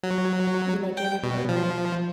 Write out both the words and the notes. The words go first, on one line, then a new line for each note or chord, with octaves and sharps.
you know, gym equipment.
F#3
G5
B2
F3